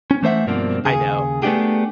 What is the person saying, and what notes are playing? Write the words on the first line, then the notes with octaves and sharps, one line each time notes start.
I know.
C#4
E3 A3 C5 E5 F#5
G2 B2 F3 A#3 C4 D4
D#2 C#3 G#4
A3 B3 D4 F4 G4 G#4